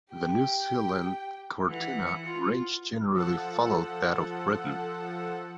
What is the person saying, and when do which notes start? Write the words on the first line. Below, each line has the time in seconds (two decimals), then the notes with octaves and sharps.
The New Zealand Cortina range generally followed that of Britain.
0.12 G4 G5
1.68 E3 F#5
2.26 F4
3.11 F3 A4 F#5